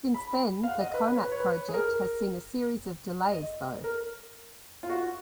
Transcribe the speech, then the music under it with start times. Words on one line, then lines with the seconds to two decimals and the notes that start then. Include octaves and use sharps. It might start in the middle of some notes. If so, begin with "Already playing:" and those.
Since then, the Comac project has seen a series of delays, though.
0.14 B5
0.63 F5
0.68 F#5
0.80 D#5
0.94 B4
1.08 B4
1.15 C#5
1.24 B4
1.32 C#5
1.40 B4
1.68 G#4
1.74 A#4
3.31 D#5
3.84 A#4
4.83 F4
4.89 F#4